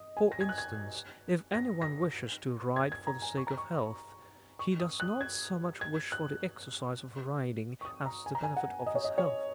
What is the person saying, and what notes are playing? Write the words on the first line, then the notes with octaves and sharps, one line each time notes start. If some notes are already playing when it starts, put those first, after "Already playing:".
For instance, if anyone wishes to ride for the sake of health, he does not so much wish for the exercise of riding as the benefit of his health.
Already playing: D#5
G#5
A#6
G#6
F#6
G#6
A#6
A#6
G#6
G#6
A#5
G#5
C#6
A#5
C#6
C#6
D#6
F#6
G#6
G#6
F#6
C#6
D#6
A#5
G#5
A#5
G#5
F#5
D#5
C#5
D#5
C#5